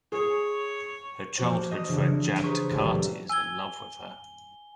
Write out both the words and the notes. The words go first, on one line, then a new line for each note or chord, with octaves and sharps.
Her childhood friend Jad Takarty is in love with her.
G#4 C#5
E3 F3 A#3 F#4 C5
C5 D#5 D#6 A#6
C#3 E3 D4
G#4 B4 C5 A#5 C6 C#6
G1 C#2 A#2 B3 A4
E3 F#3 C4
G#5 E6 G#6 G7